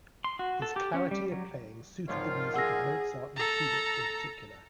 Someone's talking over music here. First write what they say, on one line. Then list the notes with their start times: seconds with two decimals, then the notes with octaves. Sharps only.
His clarity of playing suited the music of Mozart and Schubert in particular.
0.24 C6
0.39 F#4
0.62 A4
0.76 G4
0.94 C#4
1.11 G3
1.32 F#3
2.08 G#1 D#3 F3 F4 C#5
2.54 G#4 F#5 E6 A#6
3.36 A4 A#5